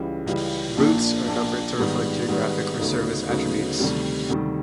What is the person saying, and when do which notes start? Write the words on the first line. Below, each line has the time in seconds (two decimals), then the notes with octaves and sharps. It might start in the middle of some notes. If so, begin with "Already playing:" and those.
Routes are numbered to reflect geographic or service attributes.
Already playing: C#2 C#3 E3 G3
0.26 C#2 C#3 E3 G3
0.77 A#1 A#2 F3 A#3 D4
1.28 A#1 A#2 F3 A#3 D4
1.77 G#2 D#3 G3 B3
2.28 G#2 D#3 G3 B3
2.78 D2 C#3 F#3 B3 D#4
3.28 D2 C#3 F#3 B3 D#4
3.80 D2 C3 D#3 G3
4.29 D2 C3 D#3 G3